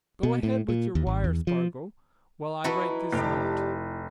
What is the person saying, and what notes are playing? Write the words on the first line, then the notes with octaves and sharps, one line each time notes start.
"Go ahead with your wire, Spargo, while I write this note."
B2
A2
A#2
D#2
G#1
E2
F3
E3 D#4 E4 F#4 A4 B4
F1 D4 G4